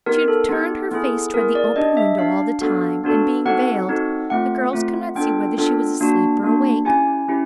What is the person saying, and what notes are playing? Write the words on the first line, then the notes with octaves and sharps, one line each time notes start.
She had turned her face toward the open window all the time, and being veiled, the girls could not see whether she was asleep, or awake.
B3 D#4 G4 A#4
A4
B3 D#4 G4
B3 E4 G#4
B3 E4 G#4 A#4
D5
D4 G4 D#5
E5
D4 G4 F5
B3 D4 F#4 A4
B3 D4 F#4 A4
C4 D#4 F#4 A4 F#5
C4 D#4 F#4 A4
A3 C4 F4 F#5
A3 C4 F4
B3 D4 F4 A4 G5
B3 D4 F4 A4
A#3 D4 F#4
A#3 D4 F#4
C#4 E4 G4 G#5
C#4 E4 G4